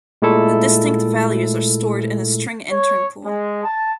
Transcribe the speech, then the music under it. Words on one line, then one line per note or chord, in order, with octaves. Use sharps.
The distinct values are stored in a string intern pool.
A#2 G#3 A3 E4 A4
C#5
G#3
A5